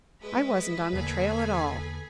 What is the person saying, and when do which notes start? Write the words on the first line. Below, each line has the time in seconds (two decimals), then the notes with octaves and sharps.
I wasn't on the trail at all.
0.21 G#3 G#4 B4 D#5 E5 B5
0.93 E2 D3 A#3 G#4 A4 G#5